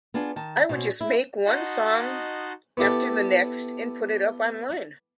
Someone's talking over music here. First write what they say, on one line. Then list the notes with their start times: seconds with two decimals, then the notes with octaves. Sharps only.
I would just make one song after the next and put it up online.
0.14 B3 D4 F4 G#4
0.36 D#3 A5
0.69 B2 C4 C#4
1.01 E4
1.46 D#4 F#4 D#5 F#5 A5 C6
2.77 B3 E4 G4 A4